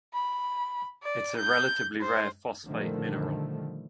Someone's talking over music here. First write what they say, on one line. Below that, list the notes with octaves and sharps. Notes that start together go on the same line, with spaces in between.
It is a relatively rare phosphate mineral.
B5
D5
G6
C5
A#2 D3 D#3 F3 G3 A3